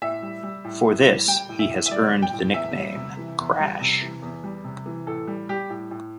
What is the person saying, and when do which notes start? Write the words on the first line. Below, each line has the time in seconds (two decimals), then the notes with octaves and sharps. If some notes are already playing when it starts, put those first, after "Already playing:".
For this, he has earned the nickname "Crash".
0.02 A2 E5
0.23 G3
0.43 G3
0.64 A2
0.86 A2
1.06 G3
1.28 G3 G5
1.49 A2
1.59 E5
1.70 A2
1.86 E5
1.91 G3 D5
2.12 G3
2.22 G5
2.33 A2
2.54 E2 E5
2.75 G3
2.96 C3
3.17 E3
3.39 E2
3.60 G3
3.81 C3
4.01 E3
4.22 E2
4.44 G3
4.64 C3
4.86 E3
5.07 A2 A4
5.28 G3
5.49 G3 G4
5.70 A2
5.91 A2